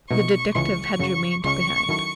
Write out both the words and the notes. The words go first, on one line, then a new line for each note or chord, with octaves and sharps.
The detective had remained behind.
B2 A3 D#4 C#6
C#2 C#3 E3 G#3 C#6
F#2 C#3 F#3
C#2 C#3 G#3 C#4 C#6
D#3 F#3 C#4 E4 A4